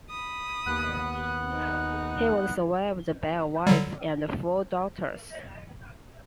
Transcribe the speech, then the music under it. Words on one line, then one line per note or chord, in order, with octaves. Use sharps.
He was survived by a wife and four daughters.
B5 D#6
D#2 B3 F#5 F#6
D#4
D3 F#3 G3